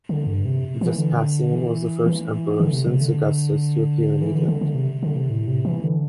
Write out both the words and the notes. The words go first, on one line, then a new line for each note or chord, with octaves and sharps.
Vespasian was the first emperor since Augustus to appear in Egypt.
D3
G2
C3
E3
D3
E3
E3
D3
C3
C3
D3
E3
D3
D3
D3
C3
D3
C3
A2
C3
E3
D3